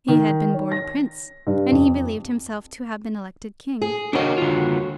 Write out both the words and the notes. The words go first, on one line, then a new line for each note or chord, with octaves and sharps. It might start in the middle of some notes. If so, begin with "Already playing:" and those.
He had been born a Prince, and he believed himself to have been elected King.
D#3
C#5
A#6
G2
F2
G#4
D#2 D4 F#4 A#4 D#5
D3 F4